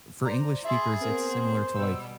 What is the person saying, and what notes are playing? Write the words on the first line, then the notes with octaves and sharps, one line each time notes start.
for English speakers, it's similar to, like,
C5 D5 A#5
G#4 E5 B5 C6 A6
B3 C4 A#4 C5
B2 G3 E6